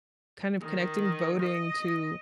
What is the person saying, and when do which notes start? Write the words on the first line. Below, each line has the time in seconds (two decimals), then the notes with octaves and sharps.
kind of connecting voting to
0.61 D#3
1.42 D#5